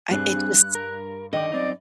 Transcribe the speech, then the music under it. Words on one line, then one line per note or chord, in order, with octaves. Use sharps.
I it just
G2 G3 C4 D4 G#4 F#6
A#4
D3 D#3 D5 D#5 G5
F#2 C4 D#4 D5